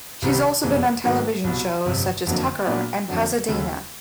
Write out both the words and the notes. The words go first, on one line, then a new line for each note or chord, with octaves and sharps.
She has also been on television shows such as "Tucker" and "Pasadena".
C2 C3 D#3 G3
F#1 F2 C3 E3 G#3
G#2 D#3 F#3 A#3
C2 B2 F#3
G1 F2 C3
F#1 F2 D3 F#3 A#3
A#2 F#3 B3 D4
F2 D3 F#3
D#2 C#3 F#3 A3